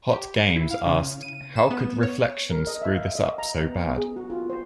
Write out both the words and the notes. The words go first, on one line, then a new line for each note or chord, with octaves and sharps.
Hot Games asked, How could Reflections screw this up so bad?
G4
E4
F5
C#3
D#7
E7
B3
C#5
A#4
D#5
E5
F5
D#5
A#5
B3
G#4
F#4
F4
C5